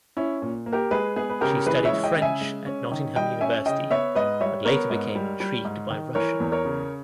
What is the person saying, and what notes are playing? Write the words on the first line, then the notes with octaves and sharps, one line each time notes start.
She studied French at Nottingham University but later became intrigued by Russian.
C#4 E4
A#2
A#3
G4 A#4
G#3 G#4 B4
B3 G#4 B4
B4
C#3 G4 A#4
E3 G#4 B4
C#5 E5
G#3
D#5 G5
C#3
E5 G#5
G#3
C#4
D#3
G3 D#5 G5
C#4 E5 G#5
C#3 D#5 G5
B3 C#5 E5
G#2 B4 D#5
G3 C#5 E5
B3 A#4 C#5
G#2
G3
G3
G#2
D#3
E3 A#4 C#5
E2
A#4 C#5
C#3